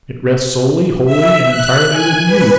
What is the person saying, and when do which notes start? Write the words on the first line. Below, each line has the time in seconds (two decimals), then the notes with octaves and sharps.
It rests solely, wholly, and entirely with you.'
1.05 E5
1.49 F#6
1.91 G#5
2.27 B4